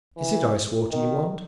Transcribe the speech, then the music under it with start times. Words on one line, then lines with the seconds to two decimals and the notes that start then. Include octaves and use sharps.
"Is it ice-water you want?"
0.17 E3
0.91 D#3